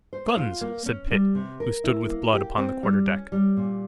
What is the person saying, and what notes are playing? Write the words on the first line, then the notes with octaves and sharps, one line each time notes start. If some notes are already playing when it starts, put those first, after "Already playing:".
"Guns!" said Pitt, who stood with Blood upon the quarter-deck.
C5
F4
A#3
C#4
G3
C3
A#4
E4
A#3
G4
C4
G3
C#4
G3
A#2